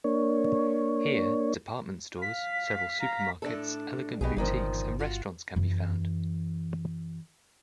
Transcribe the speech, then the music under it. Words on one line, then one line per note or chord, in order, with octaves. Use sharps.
Here department stores, several supermarkets, elegant boutiques and restaurants can be found.
A#3 D4 C#5
F5 B6
F5 A#5
A2 D4 A4
B1 B2 G4 G#4
G1 A#2 D#3 F3
F4 F#4
F#2 E3